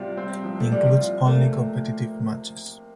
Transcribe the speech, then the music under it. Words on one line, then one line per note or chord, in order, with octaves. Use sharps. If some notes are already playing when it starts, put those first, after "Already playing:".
Includes only competitive matches.
Already playing: C3 G3 F4
C4
F3
A3
C3 G3
F4
A3 A#3